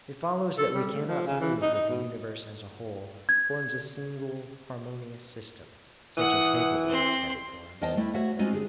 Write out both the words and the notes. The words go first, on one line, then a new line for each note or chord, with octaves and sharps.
It follows that we cannot prove that the universe as a whole forms a single harmonious system such as Hegel believes that it forms.
A4
G3
A3
F3
C#3
E3
D#4
D#4
B2
G#6
E3 F#5 D#6
C4 C6
E2 A#4 C5 D#5 G5 A5
A3 E4
F#4 C5 C#5 E5 F#5
G#3 C4 C#4 D#4 F4 F#4
D3 G4 G#4